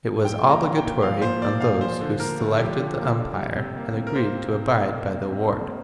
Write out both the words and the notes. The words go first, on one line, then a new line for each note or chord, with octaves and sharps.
It was obligatory on those who selected the umpire and agreed to abide by the award.
F3 G5
A#2
A#5
A#3
G5
A#2
F3 F5
A#2 C5
A#3 D5
A#2 F5
F3 C5
D3
A#3 A#4
D3
F3 G4
D3
A#3
D3
G3
C3
A#3
C3
A#4
A#3 C5
C3
C3
A#3
A#3
C3
C3
A#3